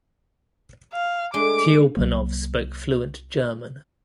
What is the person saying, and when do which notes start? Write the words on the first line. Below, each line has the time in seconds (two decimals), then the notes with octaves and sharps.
Tiulpanov spoke fluent German.
0.93 F5
1.34 G#3 A3 D4 D6
1.97 C2 F#3 A#3